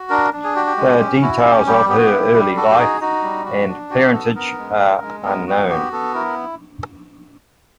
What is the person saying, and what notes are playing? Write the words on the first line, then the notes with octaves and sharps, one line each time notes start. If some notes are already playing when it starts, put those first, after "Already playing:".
The details of her early life and parentage are unknown.
Already playing: F#4
D4 A#4
D4
G#4
F#4 G4
G4
G#3
C#4
E4 F#4
C#4 G4
G3 G4
B3 G4
F#4
G4
E4
G3
F#4 A4
G4
D#4 G#4
D#4 F#4
G3
F#4
D4
F#4 G4
B3 A4
B3 A#4
G#3
G#3
G#3
B3 A#4
B3 F#4
F#4 G4
B3 A4
E4 A#4